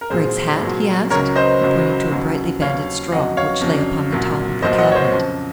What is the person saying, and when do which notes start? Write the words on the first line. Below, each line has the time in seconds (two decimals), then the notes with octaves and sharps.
"Sprague's hat?" he asked, pointing to a brightly banded straw which lay upon the top of the cabinet.
0.01 A#4
0.10 C2 A#2 F#3 G#4 C5
0.61 C2 A#2 F#3
1.10 C#2 C#3 F#3 A#4 C#5
1.36 C5 D#5
1.61 C#2 C#3 F#3
2.11 D#2 C#3 F#3
2.61 D#2 C#3 F#3 C#5 F5
3.12 F2 C#3 F#3 D#5 F#5
3.37 C#5 F5
3.61 F2 C#3 F#3
4.12 C2 A#2 F#3
4.62 C2 A#2 F#3 C5 D#5
4.78 D#5 F#5
4.92 C#5
4.95 C5 D#5
5.12 F2 C#3 F3